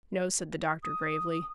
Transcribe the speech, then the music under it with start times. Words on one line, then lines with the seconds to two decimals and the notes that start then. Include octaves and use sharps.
"No," said the doctor gravely.
0.83 D#6